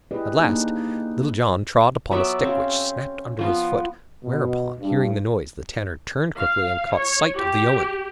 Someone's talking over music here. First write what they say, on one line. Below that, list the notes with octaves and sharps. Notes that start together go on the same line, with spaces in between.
At last Little John trod upon a stick, which snapped under his foot, whereupon, hearing the noise, the Tanner turned quickly and caught sight of the yeoman.
E4 G4 G#4 B4 D5 D#5
A#3 D4 D#4 G#4
F#3 B3 D5 E5
C#3 C4
F3 B3
B2
G2
F5
C#5
G4